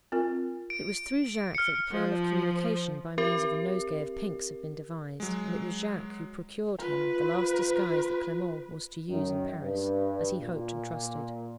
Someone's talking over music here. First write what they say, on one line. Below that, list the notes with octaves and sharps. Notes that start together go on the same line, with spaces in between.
It was through Jacques that the plan of communication, by means of a nosegay of pinks, had been devised; and it was Jacques who procured him the last disguise that Clement was to use in Paris--as he hoped and trusted.
C4 F4 A#4
D7
F6 C#7
F3
C4 G4 A#4
F#3 G#3
F4 B4
F#2 D#3
G2
A#2